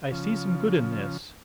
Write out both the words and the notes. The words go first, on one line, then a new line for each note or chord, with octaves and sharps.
I see some good in this.
C#3 F3